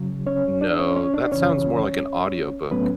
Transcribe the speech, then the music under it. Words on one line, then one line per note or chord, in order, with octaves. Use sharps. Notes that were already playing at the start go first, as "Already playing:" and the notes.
No, that sounds more like an audiobook
Already playing: C#3 F#3
C#4 C#5
D4 D5
C#4 C#5
C#4 C#5
D4 D5
F#2 C#3 E3 C#4 C#5
A2 F#3 A3 B3 C#4 B4